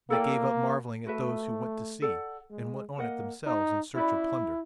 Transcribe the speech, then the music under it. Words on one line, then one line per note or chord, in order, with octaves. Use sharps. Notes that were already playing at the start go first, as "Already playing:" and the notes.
They gave up marvelling at those who went to sea, and went on it themselves in search of plunder.
A#3 E4 A4 D5 G5
A3 F#4 B4 E5
A4 D5 F#5
G#3
A#3 A#4 D#5 F#5
D#4
C#4 E4 F#4 B4 D5